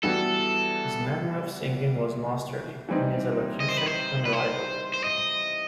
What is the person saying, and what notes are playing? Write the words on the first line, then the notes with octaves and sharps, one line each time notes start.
His manner of singing was masterly and his elocution unrivalled.
E3 G3 B3 F#4 A4
E3 G3 C4 D#4
D#5
C5
B4
C5
B4
C5
C5
D#5